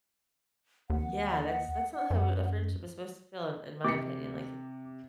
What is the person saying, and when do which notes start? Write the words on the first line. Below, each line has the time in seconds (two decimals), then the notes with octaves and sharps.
Yeah, that's that's not how a friendship is supposed to feel in in my opinion, like, at
0.90 D#2 F#5
2.11 F#2
3.84 C3 D6 C#7